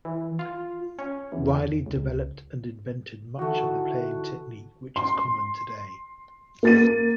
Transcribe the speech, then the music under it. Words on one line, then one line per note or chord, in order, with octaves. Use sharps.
Reilly developed and invented much of the playing technique which is common today.
E3
F4
C#4
E2
C#2
D3 E3 A3 D#4 F#4
C6
A#3 A6 D#7